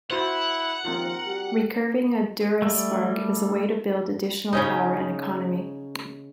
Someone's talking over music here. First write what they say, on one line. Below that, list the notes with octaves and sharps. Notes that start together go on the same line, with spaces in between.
Re-curving a Duraspark is a way to build additional power and economy.
E4 F#4 C5 F#5
D#2 F3 C4 D#4 F4 A#4
G3 F#4 G4
G3 A3
C#3 C#4 D#4